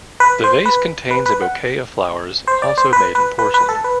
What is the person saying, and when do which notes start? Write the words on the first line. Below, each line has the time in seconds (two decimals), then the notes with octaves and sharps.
The vase contains a bouquet of flowers also made in porcelain.
0.20 B4
0.44 C5
0.66 B4
1.11 B4
1.26 B4
1.42 F#5
2.47 C5
2.62 D5
2.78 C5
2.93 B4
3.15 B4
3.39 B4
3.54 B4
3.69 A4
3.84 B4